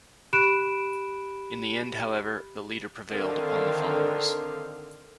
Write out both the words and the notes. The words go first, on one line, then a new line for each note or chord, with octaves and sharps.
In the end, however, the leader prevailed upon the followers.
G4 B5 F#6 D7 E7
D3 D#3 C4 F5